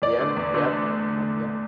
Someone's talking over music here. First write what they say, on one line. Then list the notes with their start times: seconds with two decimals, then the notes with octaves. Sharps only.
Yep, yep. I yeah.
0.02 E2 D5
0.19 D3 A3 D4
0.37 E2
0.54 D3 A3 D4